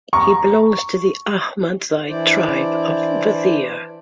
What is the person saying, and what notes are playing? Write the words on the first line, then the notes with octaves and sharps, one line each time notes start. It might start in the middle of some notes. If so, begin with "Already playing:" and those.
He belongs to the Ahmadzai tribe of Wazir.
A#5 C#6
E3 D4 E4 C5 D5